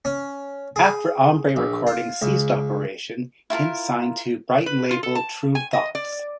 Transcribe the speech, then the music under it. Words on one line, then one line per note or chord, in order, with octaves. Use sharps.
After Hombre Recordings ceased operation, Hint signed to Brighton label Tru Thoughts.
C#4
G#4
A#1
F4
C#2
E4 F4 A4 A#4
B4
F4
A4
A5
G#5
D#5
D5